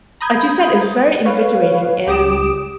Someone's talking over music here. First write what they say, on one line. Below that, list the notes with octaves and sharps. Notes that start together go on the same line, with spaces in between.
as you said, it's very invigorating, and, uh,
A#5 B5 D#6 G6 G#6
B4 C#5 F5
C#2 G4 D6 D#6 D7 E7